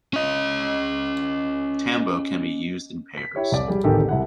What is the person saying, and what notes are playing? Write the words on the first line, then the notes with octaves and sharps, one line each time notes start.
Tambo can be used in pairs.
C#4 D#5
B6
E4 G4 C#5
C2 D5 D6
G3 G#4
D1 A1 D#3 G4 A4
C2 E4 F#5